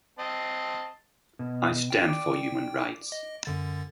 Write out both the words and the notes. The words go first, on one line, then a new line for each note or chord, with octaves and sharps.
I stand for human rights.
C4 D#5 A5
B2
G5
D5
D#5
F#2 D3 A6